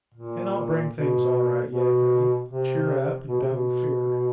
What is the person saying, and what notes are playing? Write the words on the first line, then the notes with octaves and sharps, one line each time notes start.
And I'll bring things all right yet, honey--cheer up and don't you fear.
A#2
B2
B2
C3
B2
C3
B2